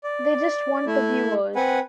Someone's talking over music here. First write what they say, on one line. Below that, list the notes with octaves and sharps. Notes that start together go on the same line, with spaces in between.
They just want the viewers.
D5
A3 E4
C4 B4 F#5 G#5